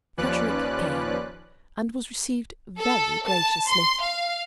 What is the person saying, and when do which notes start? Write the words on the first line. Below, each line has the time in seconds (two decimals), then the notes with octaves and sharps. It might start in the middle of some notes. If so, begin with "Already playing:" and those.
"Frederic" came and was received very graciously.
0.17 D#2 F3 C#4 B4 D5 F#6
2.78 A4
3.26 A5
3.68 C6
4.02 F5